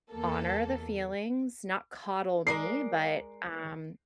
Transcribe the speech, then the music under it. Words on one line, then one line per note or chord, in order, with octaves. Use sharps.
honor the feelings, not coddle me. But, um,
E2 A#3 A4
G#3 A#4 D5 C7